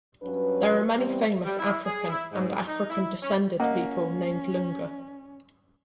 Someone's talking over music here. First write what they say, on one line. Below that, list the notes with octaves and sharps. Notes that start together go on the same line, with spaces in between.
There are many famous African and African-descended people named Ilunga.
G2 F#3 C#4 B4
E3 G3 B3 C4
G3
E4
G#4
E4
G#2
D#4
E4
C#4
A#3 C#4 D#5 F#5